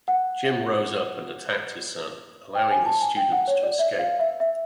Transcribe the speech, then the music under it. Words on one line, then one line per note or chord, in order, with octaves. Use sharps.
Jim rose up and attacked his son, allowing his students to escape.
F#5
G5
G#5
A5
G#5
G5
F#5
C#5
D5
E5
F5
E5
E5